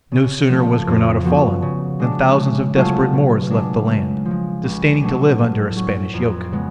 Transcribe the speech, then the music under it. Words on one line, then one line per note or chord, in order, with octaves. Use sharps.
No sooner was Granada fallen, than thousands of desperate Moors left the land, disdaining to live under a Spanish yoke.
C#3
F3 A3
F2
F3 B3 F#4
C#3
G#3 D4
C#3
F#3 A3 F4 G#4
B2
G#3 D4
C#3
F3
G#3
C#2
B2 F#3 A3 D4
A2
F#3 C#4
F2
C#3 G#3 B3